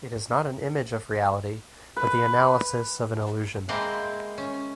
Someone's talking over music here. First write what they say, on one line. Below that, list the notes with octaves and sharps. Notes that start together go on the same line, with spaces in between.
It is not an image of reality, but the analysis of an illusion.
B4
G#3 A#3 C4 E4
C#4